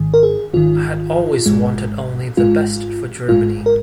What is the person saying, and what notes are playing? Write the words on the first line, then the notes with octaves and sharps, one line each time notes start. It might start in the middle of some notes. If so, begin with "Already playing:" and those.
I had always wanted only the best for Germany.
Already playing: G#1 G#2 D#3
A#4
G#4
G#1 G#2 D#3 F4
G#1 G#2 G#3
G#1 G#2 G#3 F4
G#1 G#2 G#3 F4
A#4